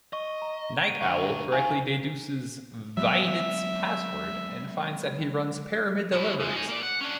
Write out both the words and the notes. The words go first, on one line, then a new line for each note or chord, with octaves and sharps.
Nite Owl correctly deduces Veidt's password and finds that he runs Pyramid Deliveries.
D#5 C#6
A#5
D#7
D2 D3 C#6
D#4 F5 G#5
F#3 G#3 B3 E5
B2 E4
C#3 G#3
D#4 G#4
A#3 D5
F#5
C#4 D4